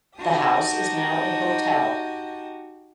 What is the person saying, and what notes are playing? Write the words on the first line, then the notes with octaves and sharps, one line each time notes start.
The house is now a hotel.
D#4 F#4 G4 G5 A5 D#6